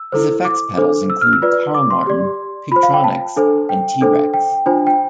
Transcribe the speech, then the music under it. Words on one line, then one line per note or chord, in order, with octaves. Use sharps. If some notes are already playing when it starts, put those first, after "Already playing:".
His effects pedals include Carl Martin, Pigtronix and T-Rex.
Already playing: E6
E4 A4 C5
D6
D4 A4 C5
E6
F6
E6
F4 B4 D5
D6
C6
G4 D5
F4 C5 B5
F5
G5
A5
D4 A4 C5
G5
D4 A4 C5
G5
D4 F4 C5
G5